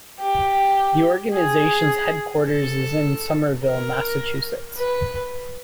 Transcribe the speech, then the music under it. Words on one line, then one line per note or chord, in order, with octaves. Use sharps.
The organization's headquarters is in Somerville, Massachusetts.
G4
G#4
A4
A#4
B4